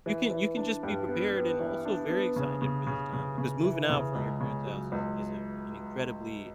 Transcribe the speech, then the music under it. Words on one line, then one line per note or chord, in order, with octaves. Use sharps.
you can you can just be prepared and also very excited for this time because moving out from your parent's house is is, uh, an incredibly,
E3
E3
D4
G2
B3
B3
E3
D4
B3
C#3
C#3
C#3
C#3
C#3
E3
C#3
C#2
C#3
F#3
C#2